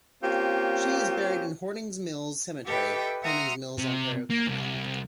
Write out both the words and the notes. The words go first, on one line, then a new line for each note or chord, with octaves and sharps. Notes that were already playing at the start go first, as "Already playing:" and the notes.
She is buried in Hornings Mills Cemetery, Horning's Mills, Ontario, Canada.
A#3 C4 C#4 F4 G4
G4 A4 B4 D#5 E5 G5
E5 F#5 A#5 C6 D#6 F6
C3
A#3
C2